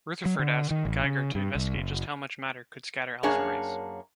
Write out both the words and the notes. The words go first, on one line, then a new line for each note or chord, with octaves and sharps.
Rutherford asked Geiger to investigate just how much matter could scatter alpha rays.
F#3
D3
D#3
A1
C#3
G2
C2
F#1
F#2 A#3 D4 G#4 C#5 A5